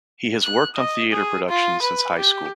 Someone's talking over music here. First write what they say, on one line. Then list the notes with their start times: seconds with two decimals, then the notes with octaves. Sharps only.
He has worked on theatre productions since high school.
0.42 F#6
0.76 D#5
1.11 G#4
1.49 F4
1.82 B4
2.18 G4